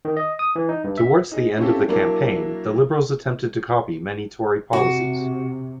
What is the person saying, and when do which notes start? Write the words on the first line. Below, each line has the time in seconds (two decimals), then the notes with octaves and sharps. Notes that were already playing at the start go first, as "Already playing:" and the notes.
Towards the end of the campaign, the Liberals attempted to copy many Tory policies.
0.05 D#3
0.17 D#5
0.39 D#6
0.56 E3
0.69 D#4
0.84 G2
0.98 E5
1.31 D#4 G#4
1.58 C4 C#4 E4 F4 G4 A4
1.88 F#3 A#3 D4 E4 A#4
4.73 C3 F#4